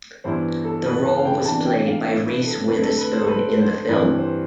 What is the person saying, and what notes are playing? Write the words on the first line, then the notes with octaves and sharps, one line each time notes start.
The role was played by Reese Witherspoon in the film.
G2 E3 B3 E4 C5
A4
B4
A5
F5
G5
C3 E3 B3 D4 A5
G5
F5
E5
B4
A4
F2 D3 A3 B4
A4
B4
C5
A4
B4
C5
G2 E3 G3 C4 E4 B4
C5